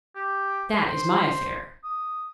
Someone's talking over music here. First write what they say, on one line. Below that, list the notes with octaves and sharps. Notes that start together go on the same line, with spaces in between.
'That is my affair.
G4
C5
D#6